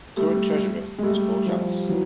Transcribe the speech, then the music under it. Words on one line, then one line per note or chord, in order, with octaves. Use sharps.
The current Treasurer is Paul Schabas.
G3 A3
G#3
G3 A3
F3 G3
E3 F#3